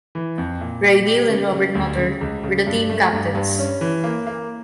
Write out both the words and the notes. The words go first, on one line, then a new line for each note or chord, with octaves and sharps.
Ray Neal and Robert Nutter were the team captains.
E3
F2
A#2
G4
G4
C#3
C#3
D2
C#3
C#2
C#3
G2
A3
G2
G2
C#4
E3
A#3
A#3